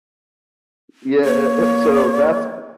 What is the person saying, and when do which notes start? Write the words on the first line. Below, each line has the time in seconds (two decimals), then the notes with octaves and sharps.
yeah, so that's
1.25 A#3 C#5